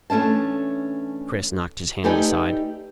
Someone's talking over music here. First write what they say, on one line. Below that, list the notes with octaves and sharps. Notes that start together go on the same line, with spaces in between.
Chris knocked his hand aside.
E3 A3 C#4 D4 A5
A3 D#4 G4 B4 D5 G#5